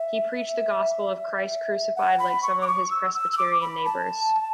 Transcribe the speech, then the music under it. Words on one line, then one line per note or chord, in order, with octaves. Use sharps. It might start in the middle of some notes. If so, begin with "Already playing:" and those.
He preached the gospel of Christ Crucified like some of his Presbyterian neighbors.
Already playing: E5
F#5
B5
C#6
D6
C#6
E6
E6
E6
D6
B5
A5